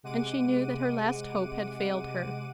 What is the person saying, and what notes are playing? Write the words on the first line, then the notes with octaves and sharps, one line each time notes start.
And she knew that her last hope had failed her.
C3 G#3 F#5 D6 D#7